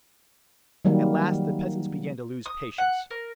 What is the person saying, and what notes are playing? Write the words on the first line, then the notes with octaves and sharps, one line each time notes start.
At last the peasants began to lose patience.
D#3 F#3 G3 A#3
D#6
F#5
A#4